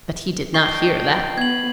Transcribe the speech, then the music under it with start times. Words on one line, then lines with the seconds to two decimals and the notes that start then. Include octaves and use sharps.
But he did not hear that.
0.54 D4 D#5 G5 C#6 C7 G7
1.38 B3 G#6 F#7